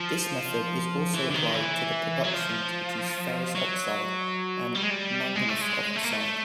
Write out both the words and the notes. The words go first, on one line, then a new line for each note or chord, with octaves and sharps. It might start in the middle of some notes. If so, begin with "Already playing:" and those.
This method is also applied to the production of ferrous oxide and manganous oxide.
Already playing: F3
E3
D3
D#3
E3
F#3
F3
F#3
G3
G#3
G3
G#3
A3
G#3
A3
A#3
A3